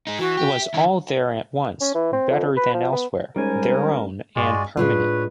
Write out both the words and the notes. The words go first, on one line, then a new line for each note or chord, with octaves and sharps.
It was all there at once, better than elsewhere, their own, and permanent.
G#3 D#4
E3 F#4
G4
E5
D#3 E4
C#4
E3
C4
F2
B4
F3
B3
G3 G#3 C#4 D#4 A#4 C5 G#5
G2 G#3 F4 F#4 D5
A2 G#3 D4 F4 B4 C#5